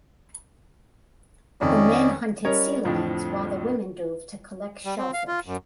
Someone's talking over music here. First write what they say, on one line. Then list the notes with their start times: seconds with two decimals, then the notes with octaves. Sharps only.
The men hunted sea lions while the women dove to collect shellfish.
1.61 F2 D#3 C#4 D5 D#5
2.45 G3 C#4 A#4 C#5 D#5
2.85 F2 A2 D3 F3 C4
4.85 G3
4.98 C4
5.14 F5
5.28 F4
5.46 F#2